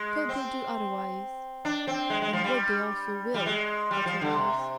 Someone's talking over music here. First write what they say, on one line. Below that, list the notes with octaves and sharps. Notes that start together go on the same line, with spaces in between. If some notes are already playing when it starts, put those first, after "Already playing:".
COULD they do otherwise, then would they also WILL otherwise.
Already playing: G#3
C4
D4
C4
G#3
G#3
F3
G3
G3
G#3
G3
F3
D3
C3